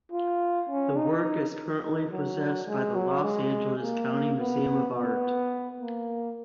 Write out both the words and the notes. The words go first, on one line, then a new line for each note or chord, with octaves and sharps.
The work is currently possessed by the Los Angeles County Museum of Art.
F4
C#4
D#4
D#4
F#3
G#3
F#3
G#3
A#3
B3
B3
A#3